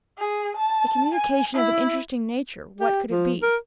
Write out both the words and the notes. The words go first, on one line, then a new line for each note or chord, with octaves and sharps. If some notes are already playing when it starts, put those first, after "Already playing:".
A communication of an interesting nature, what could it be?
G#4
A5
G#5
E4
G4
F3
A#4